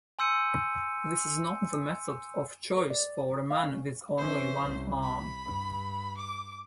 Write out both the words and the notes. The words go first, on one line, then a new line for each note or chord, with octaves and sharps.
This is not the method of choice for a man with only one arm.
G#5 C6 E6 G6 C#7 D#7
A#4
D5
F5
C#4
E3 C#4 C5
C2
B5
G2
D6